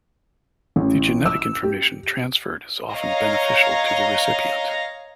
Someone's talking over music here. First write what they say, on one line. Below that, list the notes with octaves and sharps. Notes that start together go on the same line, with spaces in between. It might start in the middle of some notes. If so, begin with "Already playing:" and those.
The genetic information transferred is often beneficial to the recipient.
A1
E6
G4
C#5 D#5 F5 A#5